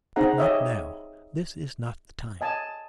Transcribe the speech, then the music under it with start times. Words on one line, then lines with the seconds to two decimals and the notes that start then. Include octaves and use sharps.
But not now, this is not the time.'
0.16 C4 D#4 G#4 F#5 A#5
0.38 G4 C#5 D#5 E5
2.41 D#5 G#5 A5